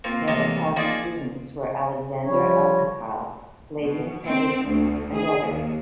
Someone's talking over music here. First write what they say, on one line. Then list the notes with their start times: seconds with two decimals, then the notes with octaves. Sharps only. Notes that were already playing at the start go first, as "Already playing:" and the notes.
Beketov's students were Alexander Eltekov, Flavian Flavitsky and others.
0.04 A#3 C4 F4
0.28 A1 C3 A#3 D#5 A5
0.76 F3 A#3 D#4 F4 G#4 D5
2.25 F3 G3 C#5
3.83 B2
4.27 C4
4.64 D2
5.14 G#4
5.46 D#2